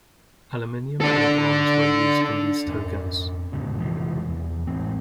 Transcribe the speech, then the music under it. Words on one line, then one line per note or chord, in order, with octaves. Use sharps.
Aluminium and bronze were used in these tokens.
D4 A4
F2 C#4
D#1 G#2 C#3
F2 C3 E3 F3
E2
A1 C4